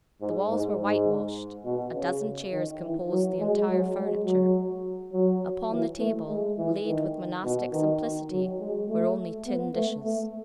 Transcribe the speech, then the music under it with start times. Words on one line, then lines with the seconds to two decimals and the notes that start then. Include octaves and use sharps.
The walls were whitewashed; a dozen chairs composed the entire furniture; upon the table, laid with monastic simplicity, were only tin dishes.
0.21 G#2
0.50 G#2
0.79 G#2
1.65 B2
1.94 C#3
2.52 D#3
2.81 E3
3.10 F#3
3.39 G#3
3.68 F#3
3.97 G#3
4.26 F#3
5.13 F#3
5.71 E3
5.99 A3
6.28 G#3
6.58 E3
6.86 D#3
7.44 B2
7.73 D#3
8.31 F#3
8.60 G#3
8.89 A3
9.47 B3
9.75 A3
10.05 A3